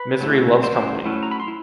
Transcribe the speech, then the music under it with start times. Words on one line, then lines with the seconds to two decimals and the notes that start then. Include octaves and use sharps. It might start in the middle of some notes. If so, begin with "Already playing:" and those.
Misery loves company.
Already playing: B4 B5
0.21 F#3 A3 C#4 E4
0.63 F#3 A3 C#4 E4 C5 C6
1.05 F#3 A3 C#4 E4
1.23 A#5
1.31 B5
1.40 C6
1.48 E4